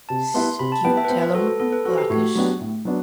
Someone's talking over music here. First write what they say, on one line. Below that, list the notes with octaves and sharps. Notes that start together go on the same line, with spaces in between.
Scutellum blackish.
C3 A5
G3 B3 E4 B4 C6
C3 B5
A5
G3 B3 E4 B4 G5
E5
B4
B3 C5
B4
F#4 A4 C5
A4
B3 A4
B4
F#4 A4 C5
G4
A2 F#4
F#3 B3 D4 G4
A2
F#3 B3 D4